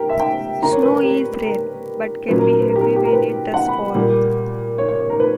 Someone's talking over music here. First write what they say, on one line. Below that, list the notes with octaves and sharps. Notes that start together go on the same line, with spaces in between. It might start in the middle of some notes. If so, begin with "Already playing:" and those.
Snow is rare, but can be heavy when it does fall.
Already playing: G4 A#4
E5
G5
D3 A#3 D4 A#5
C#5
B4
A#4
G4
A#4
A#2 F#3 C#4 B4
A#4
A#4
B4
A#4
G4
A#4
G4
A#4
B4
F#5
B5
A#2 G3 A#3
C#5
C#5
C#5
A#4
B4